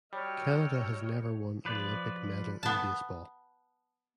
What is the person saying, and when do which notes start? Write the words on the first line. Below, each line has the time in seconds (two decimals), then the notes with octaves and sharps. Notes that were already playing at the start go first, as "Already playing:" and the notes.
Canada has never won an Olympic medal in baseball.
0.13 G3 F#4 C#5 D#5 G5 A5 E6 F6
1.65 F3 B4 D5
2.63 B3 A5